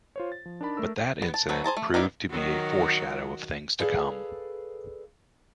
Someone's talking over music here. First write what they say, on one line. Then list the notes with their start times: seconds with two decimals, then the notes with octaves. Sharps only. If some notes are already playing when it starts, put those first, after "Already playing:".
But that incident proved to be a foreshadow of things to come.
0.16 F4 C5 C#5
0.32 A6
0.46 F3
0.61 D4 D#4 A#4 D5 A5 B5
0.77 A3 A#4 E6
1.22 B3
1.34 A5
1.49 F#3 F#4 A4 B4
1.64 G#4 C5 A5 A#5
1.77 A3
1.94 B3 D#4 E4 D5
2.29 D#3 F#3 F#4
3.80 G#4 A4 B4 D5 F5